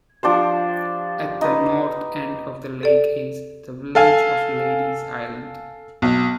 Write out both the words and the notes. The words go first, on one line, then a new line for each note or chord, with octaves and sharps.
At the north end of the lake is the village of Lady's Island.
F3 D4 G4 C5
D#4 B4
A4 D5
A4 F5 G#5
B1